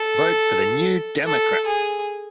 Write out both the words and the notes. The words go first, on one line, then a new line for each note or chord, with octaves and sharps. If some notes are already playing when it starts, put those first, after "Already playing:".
Vote for the New Democrats!
Already playing: A4
A4
G#4